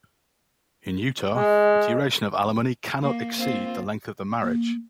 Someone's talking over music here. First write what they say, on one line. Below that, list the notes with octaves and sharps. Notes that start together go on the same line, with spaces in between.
In Utah, the duration of alimony cannot exceed the length of the marriage.
G#3 D#5
A#3
A#3 C4 F4
A#3